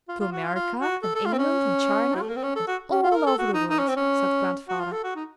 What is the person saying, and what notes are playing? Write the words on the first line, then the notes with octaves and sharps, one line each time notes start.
"To America, and England, and China, and all over the world," said Grandfather.
F4
F4
F#4
F4
F4
F#4
A4
A4
F4
C4
C#4
F#3
A3
A#3
C4
C#4
A4
F#4
C#4
F4
A4
A#4
A4
F#4
D#4
D#4
C#4
C4
C#4
F#4
F4
A4
F#4
D#4